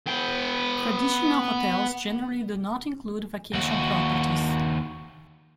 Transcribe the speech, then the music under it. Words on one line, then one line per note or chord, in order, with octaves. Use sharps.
Traditional hotels generally do not include vacation properties.
B3 G5
D#2 F#4